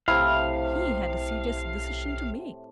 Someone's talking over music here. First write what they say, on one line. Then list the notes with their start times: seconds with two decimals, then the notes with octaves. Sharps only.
He had a serious decision to make.
0.08 B1 A2 C3 E4 F5